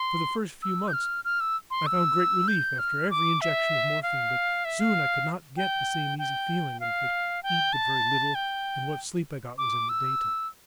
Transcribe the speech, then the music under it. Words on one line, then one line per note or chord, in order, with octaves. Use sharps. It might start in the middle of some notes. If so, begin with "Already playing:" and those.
For the first few months, I found great relief after every injection of morphine, but soon I could not get the same easy feeling and could eat but very little and what sleep I got was in the daytime.
Already playing: C6
E6
G6
F6
F6
E6
C6
E6
G6
F6
D6
E5
F5
E5
F5
G5
G5
F5
G5
A5
G5
D6
E6